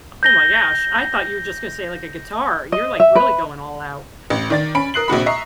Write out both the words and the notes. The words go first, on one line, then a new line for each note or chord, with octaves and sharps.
Oh my gosh. I thought you were just gonna say, like, a guitar. You're, like, really going all out.
G6 A#6 G7
D#5
E5
B4
A1
D#3 D5 A6
C#4 B5 D7
A#4 D#6 F#6 C7 F#7
A#1 C3 F#4 B5
D#5 E5 A#5 C#6 C7